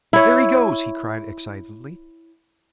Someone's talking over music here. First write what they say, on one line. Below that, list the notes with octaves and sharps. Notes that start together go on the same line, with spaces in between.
"There he goes!" he cried excitedly.
E4 C#5